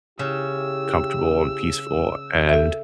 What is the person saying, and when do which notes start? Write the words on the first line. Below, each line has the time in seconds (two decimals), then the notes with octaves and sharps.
comfortable and peaceful, and
0.19 C#3 E4 G4 E6
2.49 A4 E5